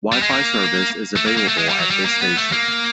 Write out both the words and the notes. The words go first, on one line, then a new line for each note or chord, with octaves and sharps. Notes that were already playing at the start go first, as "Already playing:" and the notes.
Wi-Fi service is available at this station.
G3
G#3
A#3
A3
A#3
A#3
A3
G#3
G3
F#3
G3
A#3
B3
A3
A#3